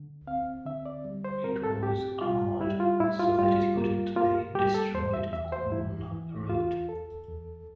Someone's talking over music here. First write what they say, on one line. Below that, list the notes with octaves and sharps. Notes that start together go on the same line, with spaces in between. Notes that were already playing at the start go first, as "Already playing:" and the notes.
It was armoured so that it couldn't be destroyed en route.
Already playing: D3
C4 F5
D3 E5
D5
G3
C5
C4 A#4
A4
A2 G4
G3 F4
G3 E4
F4
A2 E4
F4
G3 F4
A#3
A#3 F4
G3 G4
A4
E2 C5
E5
E2 E5
C5
E3 E4
E3
E2 F4
E2 A4
E2